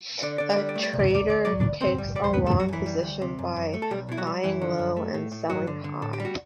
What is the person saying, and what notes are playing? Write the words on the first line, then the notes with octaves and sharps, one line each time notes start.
A trader takes a "long" position by buying low and selling high.
D3 D5
D3 D5
D5
G3
D5
A3
D5
C3
D5
C2 D5
D2 D5
F#3 D5
D2 D4 D5
D2 C4 C5
G3
G3 D5
C5
F#2 B3 B4
A3 A4
F#2
F#3 F#4
F#2 E3 E4
G3
D2
C3
F#2
F#2
A3
A4
B1 G3 G4
B2 E4
F#3 F#4
G3
F#2 E3 E4
D3
F#2
A3
A2
A2
G2 F#3 F#4
D3
D3
A2 A4
G4
G3
F#4